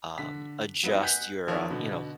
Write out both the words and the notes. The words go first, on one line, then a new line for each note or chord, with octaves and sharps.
um, adjust your, um, you know,
D3 B6
F#3 B3 D#4
F#5 G#5 F#6 G6 B6
D#3 F3 C#5
B2 D3